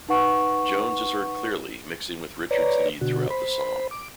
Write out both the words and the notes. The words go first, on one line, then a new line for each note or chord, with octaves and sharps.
Jones is heard clearly, mixing with Richards's lead throughout the song.
D#4 B4 F#5 C#6
B4 C#5 D5 A#5
B2 D3 F#4
C5 B5
D6